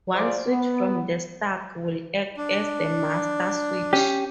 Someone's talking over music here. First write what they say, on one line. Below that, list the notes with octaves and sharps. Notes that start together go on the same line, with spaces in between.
One switch from the stack will act as the master switch.
F4 G#4 C5 D5
B3
D4
C#4 G4